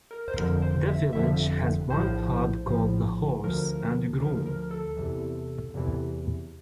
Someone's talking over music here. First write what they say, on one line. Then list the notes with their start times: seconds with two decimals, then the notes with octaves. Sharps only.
The village has one pub called The Horse and Groom.
0.11 A#4
0.28 C5
0.36 G1 F2 D3 F3 A#4
0.62 C5
0.88 E5
1.13 G1 F2 D3 F3 E5
1.90 A#1 A2 F3 C5
2.66 A#1 A2 F3
3.43 D2 D3 F3 A#4
4.20 D2 D3 F3 A#4
4.46 A#4
4.71 A4
4.97 E2 C3 E3
5.74 E2 C3 E3